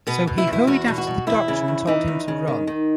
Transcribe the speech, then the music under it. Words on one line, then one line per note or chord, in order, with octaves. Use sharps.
So he hurried after the Doctor and told him to run.
B2 B3
B2
E4
E2
E4
E2 F#4
B2
F#4
B2
E2 E4
C#3
E2
E3 D#4
E2
C#3
D#3
D#3